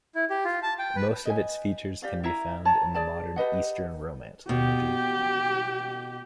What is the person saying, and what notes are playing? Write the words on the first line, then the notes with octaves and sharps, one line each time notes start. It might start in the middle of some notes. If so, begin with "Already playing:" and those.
Most of its features can be found in the modern Eastern Romance languages.
E4
G4
F4
A5
G5
B4
D#5 G#5
G4 D5 F5
E4 E5 A#5
C#5 A5 A#5
G#4 D5 A5
G4 B4 D#5 F#5
B2 G4